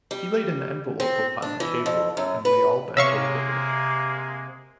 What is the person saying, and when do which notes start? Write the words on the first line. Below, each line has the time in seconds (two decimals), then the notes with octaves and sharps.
He laid an envelope upon the table, and we all bent over it.
0.11 G3
1.00 C4
1.42 D4
1.60 E3
1.86 F2
2.17 F#2
2.45 B4
2.97 C3 G#3 A#3 C#5 E5 F5 C#6